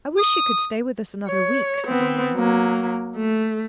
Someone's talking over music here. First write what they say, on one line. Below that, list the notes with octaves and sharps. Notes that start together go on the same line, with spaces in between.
"I wish she could stay with us another week," said Amelia.
D#6
C#5
B3 C4
F#3 A#3
A3